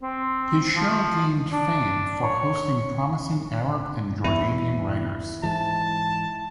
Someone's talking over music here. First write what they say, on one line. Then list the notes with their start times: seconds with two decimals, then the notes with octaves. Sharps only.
His show gained fame for hosting promising Arab and Jordanian writers.
0.03 C4
0.76 F3
1.52 D4
2.22 C#5
4.24 E2 E4
5.43 G#2 E3 A5